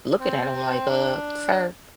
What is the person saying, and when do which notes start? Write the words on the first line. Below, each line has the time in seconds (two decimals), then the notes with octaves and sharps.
looking at him, like, "Uh, sir,
0.20 C4
0.90 D4